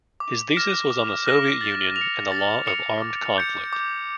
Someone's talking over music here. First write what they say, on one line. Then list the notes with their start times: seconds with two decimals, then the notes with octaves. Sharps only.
His thesis was on the Soviet Union and the law of armed conflict.
0.20 D6
0.56 F6 A#6 E7
0.91 D6
1.27 F6 A#6 E7
1.61 A6
1.96 F7
2.01 C#7
2.32 A6
2.67 C#7 F7
3.02 D6
3.38 G6 C#7
3.73 D6